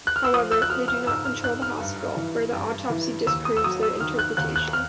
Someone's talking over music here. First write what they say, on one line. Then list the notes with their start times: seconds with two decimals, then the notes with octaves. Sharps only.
However, they do not control the hospital, where the autopsy disproves their interpretation.
0.07 F#6
0.16 F6
0.25 E6
0.33 F3 D#6
0.52 E6
0.62 F#6
0.70 F3 F6
0.88 F6
1.07 G#2 E6
1.25 F6
1.44 G#2 F#6
1.62 F6
1.80 G2
2.17 E3
2.53 G2
2.90 E3
3.27 D#2 E6
3.45 D#6
3.57 E6
3.64 F#3 D#6
3.83 E6
4.00 D#3 F6
4.19 F#6
4.37 D#2 F#6
4.56 F#6
4.73 F6